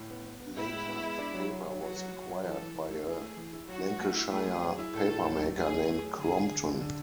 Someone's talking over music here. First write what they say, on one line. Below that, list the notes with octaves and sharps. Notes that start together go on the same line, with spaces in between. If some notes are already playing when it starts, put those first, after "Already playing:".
Later the paper was acquired by a Lancashire papermaker named Crompton.
Already playing: A2
B3
B3
B3
A2 E4
G#3
B3
G#3
D4
F#3
F#3
F#3
F#3 F#4
F#3
F#3
F#3
E3 A4
E3
E3
A3
E4 G#4
A3
E3
E4
F#3 F#4
F#3
A3
E4
A3 G#4
A3
F#3
E4
A2 A4
A2
F#3
A3
A3 G#4
A3
A3
F#3
D3 G#4
D3
D3
D3
D3